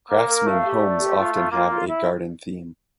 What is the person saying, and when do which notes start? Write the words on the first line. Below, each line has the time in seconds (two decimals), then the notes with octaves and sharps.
Craftsman homes often have a garden theme.
0.11 A#3 A#4
0.28 A#4
0.46 A3 F5
0.63 G4
0.81 D5
0.98 G4
1.16 F4
1.33 F4
1.51 A#3 F4
1.68 F4
1.87 E4